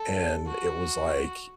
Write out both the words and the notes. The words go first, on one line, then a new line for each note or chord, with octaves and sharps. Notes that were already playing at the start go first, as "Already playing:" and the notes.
and it was like
Already playing: A4
F#4